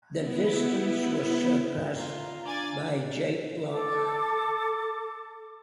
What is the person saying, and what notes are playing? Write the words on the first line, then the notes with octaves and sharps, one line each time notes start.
The distance was surpassed by Jake Lock.
B3 E4
F4 A#5
D4 D5 G#5 A6
A4 D6